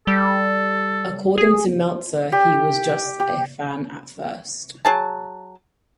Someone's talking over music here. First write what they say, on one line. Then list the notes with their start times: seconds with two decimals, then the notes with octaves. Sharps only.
According to Meltzer, he was just a fan at first.
0.07 G3 A4
1.38 G#4
2.32 G4
3.20 G4
4.85 F#3 G#4 A5